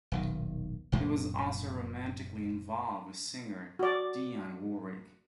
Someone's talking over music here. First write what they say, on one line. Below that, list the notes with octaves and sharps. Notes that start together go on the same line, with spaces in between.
He was also romantically involved with singer Dionne Warwick.
D#1 B1 D#3
F1 F#2 A#2 A#3
F#4 D5